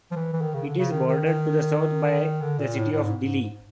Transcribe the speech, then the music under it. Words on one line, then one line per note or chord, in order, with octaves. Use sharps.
It is bordered to the south by the city of Dilley.
F3
E3
E3
D#3
C#3
D3
C#3
D#3
D#3
D#3
D3
A#2
A2
A2
G#2
G#2
G#2